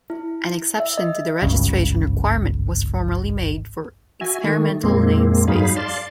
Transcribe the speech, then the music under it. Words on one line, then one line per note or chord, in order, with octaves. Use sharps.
An exception to the registration requirement was formerly made for "experimental namespaces".
E4
E5
D#5
G#1 C#2 G2 C#3
F#4 E5 G#5
D#3 A3
F2 A#2 G#3 A#3 C4
G2 F#3 D#4 G#4 F5 B5
D5 F5 A5 C6